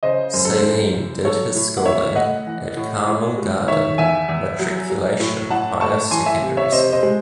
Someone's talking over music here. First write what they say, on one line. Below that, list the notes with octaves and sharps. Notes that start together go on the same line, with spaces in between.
Saleem did his schooling at Carmel Garden Matriculation Higher Secondary School.
C#3 C5 D#5
F#2 C5
A4
C5
F#2
E3
F#3 A4 C#5
A2
F#5
A2 C#5 E5
A3 D#5 F#5
E3
A2
A2
G#3
D#3 C#5 E5
E2 E5 G#5
E2
F#3
F#3
A2
A2 F#5 A5
A3 A5 C#6
E3 G#5 C6
E5 G#5
C3
C#5 E5
C3 C5 D#5
C5 D#5
G#3